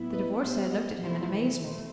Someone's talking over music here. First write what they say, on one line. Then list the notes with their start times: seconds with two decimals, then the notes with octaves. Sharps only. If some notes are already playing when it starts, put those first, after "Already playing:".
The Divorcee looked at him in amazement.
Already playing: A2 F#3 B3 E4
0.12 B4 D#5
0.42 B2 G3 B3 C5 E5
0.71 D#5 F#5
1.01 E2 C3 E3 A3 E4 C5
1.60 B2 A3 C5